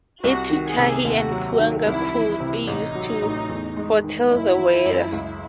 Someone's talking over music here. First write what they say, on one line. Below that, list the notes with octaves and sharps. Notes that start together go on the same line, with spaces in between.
Atutahi and Puanga could be used to foretell the weather.
C2 F#4
D#3
G#4
C3
D#2 F#4
F#3
D#3
C2 E4
E3
C3
A1 D#4
F#3
A2
E2
G#3
D#3
F#1 E4
E3
F#2
C#2